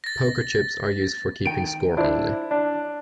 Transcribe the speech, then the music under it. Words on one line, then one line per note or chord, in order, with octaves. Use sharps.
Poker chips are used for keeping score only.
A6 A#6
D#3 G5 D7
D4 E4 C5
D4